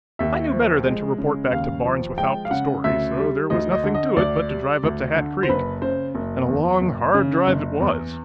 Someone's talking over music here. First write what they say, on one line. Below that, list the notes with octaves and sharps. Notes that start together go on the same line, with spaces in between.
I knew better than to report back to Barnes without the story, so there was nothing to it but to drive up to Hat Creek, and a long, hard drive it was.
D#2 E5
F3
G#3
C#3
D#2 F5
F3
G#3 G5
F5
C#3 F#5
D2 E5
G3
D2 D#5
D#5
D3
D#5
D2 D5
G3
D2
D3
C5
F#1 B4
C#3 C5
F#1
E2
F#1
C#3
F#1
E2